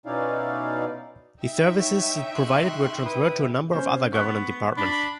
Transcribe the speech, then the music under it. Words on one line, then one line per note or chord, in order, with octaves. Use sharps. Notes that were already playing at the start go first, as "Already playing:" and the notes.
The services it provided were transferred to a number of other government departments.
B2 C#4 D#4 E4 D5 F5
D#4 E5 G5
C#5
C6 C#6 F#6
E4 B4 D#6
C#4 C5
B3 C#6 F#6
D4 B5